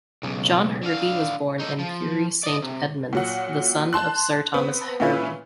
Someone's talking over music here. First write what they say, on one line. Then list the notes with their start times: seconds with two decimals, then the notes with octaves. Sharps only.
John Hervey was born in Bury Saint Edmunds, the son of Sir Thomas Hervey.
0.23 B1 C#3
0.83 D3 F5
1.60 D#4 A4
1.79 F3
2.43 D5 D#5
2.62 C3
3.13 A#2 F#3 F#5
3.93 A5 C6 F#6
4.54 B3 C4
5.00 A#2 C#4 E4 F4 B4